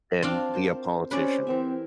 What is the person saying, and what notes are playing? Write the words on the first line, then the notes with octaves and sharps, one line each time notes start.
than be a politician.
C4 D4 F4
A#4 C5 A5
C4 C#4 G4 B4 C5 D5
E3 C4 A#4 E5